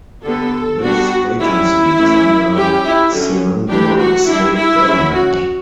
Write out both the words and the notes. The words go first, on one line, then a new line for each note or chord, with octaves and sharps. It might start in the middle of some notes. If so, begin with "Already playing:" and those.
This agency is under Selangor state government.
D3 G3 B3 A4
G3 B3 D4 F#4
G3 C#4 E4
E3 A3 C#4
G3 C#4 G4
E4
D3 F#3 C#4
E3 A3 D4 G4
F#4
G3 D4 E4
E4
F#3 C#4
F#4